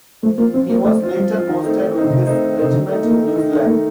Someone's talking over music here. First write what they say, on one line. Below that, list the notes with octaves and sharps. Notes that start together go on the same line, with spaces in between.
He was later posted with his regiment in New Zealand.
F3 A3
A#3 C4 F4
F3 C4
A#3 C4 F4
F3 A3
C4 F4
F3 G3
C4 F4
D#3
A3 C4 D#4
D#3
A3 C4 D#4
D3
C3 D#3
A3 C4 D#4
D#3
C3 A3 C4 D#4
D3 D#3
A3 D#4
D#3 A#3
A3 D#4
D#3
A3 D#4
D#3 A#3